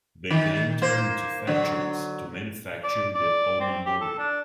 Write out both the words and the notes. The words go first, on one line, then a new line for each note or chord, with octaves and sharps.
They then turn to factories to manufacture the "omamori".
D#3
A#3 C5
D3 F#3
D5
D5
C4
G4
A4
D4